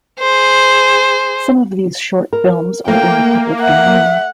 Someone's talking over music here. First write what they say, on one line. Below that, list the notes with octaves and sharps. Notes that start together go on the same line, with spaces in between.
Some of these short films are in the public domain.
G#4 C5
A#4
A3 A#3 G5
E5 F#5